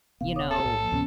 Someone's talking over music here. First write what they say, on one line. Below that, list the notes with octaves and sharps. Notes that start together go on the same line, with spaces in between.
you know,
D1 C3 B3 F5
C#5 D6 D#6
A4 A6
B1 A2
F3 A#3
D2 A2 C3 B3 C#4